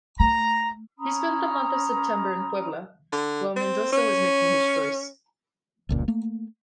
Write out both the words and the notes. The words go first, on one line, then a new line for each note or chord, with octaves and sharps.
He spent the month of September in Puebla, while Mendoza was making his choice.
A3 A#5
C#4 A#5 B5 D#6
D3
C4
C#4
F1 C#2 A#2
A3 A#3